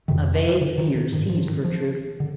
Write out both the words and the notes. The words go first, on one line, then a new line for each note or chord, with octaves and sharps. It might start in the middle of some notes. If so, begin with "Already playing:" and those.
A vague fear seized Gertrude.
F2 C3 D#3
D3
D#3
D3
G#2 D#3
F3
D#3
F3
D3